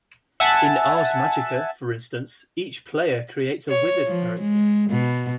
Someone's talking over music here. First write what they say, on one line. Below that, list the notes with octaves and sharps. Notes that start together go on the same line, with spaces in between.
In Ars Magica, for instance, each player creates a Wizard character.
E5 F#5 G#5 A5
C#5
F3
G#3
B2